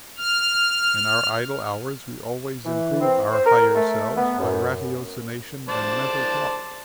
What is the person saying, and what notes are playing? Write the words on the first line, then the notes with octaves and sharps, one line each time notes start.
In our idle hours we always improved our higher selves by ratiocination and mental thought.
F6
E3
C4
C5
A#4
A3
B3
F#2
C5 D5 A5